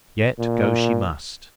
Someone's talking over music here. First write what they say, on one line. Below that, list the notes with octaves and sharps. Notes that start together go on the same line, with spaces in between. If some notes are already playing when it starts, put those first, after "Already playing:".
Yet go she must.
A#2